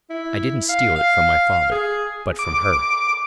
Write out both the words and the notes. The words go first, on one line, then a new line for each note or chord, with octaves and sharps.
I didn't steal it from my father, but from her.
E4
F5
F5
G#4
D6